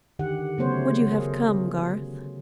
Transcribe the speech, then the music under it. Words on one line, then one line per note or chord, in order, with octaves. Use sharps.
Would you have come, Garth?
D3 D#3 G4 F#5
C#3 F#3 A3 B3 C5 C#5
G#4 A#4